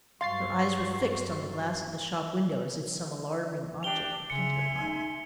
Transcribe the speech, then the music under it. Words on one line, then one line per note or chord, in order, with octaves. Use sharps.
Her eyes were fixed on the glass of the shop-window, as if some alarming object were painted upon it.
G2 F#3 F5 C6 C#6 A6 C7
D4 G4 G5 F7 G7
C#3 E5 G#5 C6 C#7
D#4